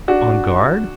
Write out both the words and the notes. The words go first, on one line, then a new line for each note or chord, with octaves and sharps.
"On guard?"
D4 F#4